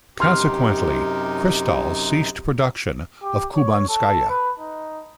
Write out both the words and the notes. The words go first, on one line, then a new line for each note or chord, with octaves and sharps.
Consequently, Kristall ceased production of Kubanskaya.
F#2 C3 D#4 G4 C6 F6
G4
C#5
A4
B4
D#4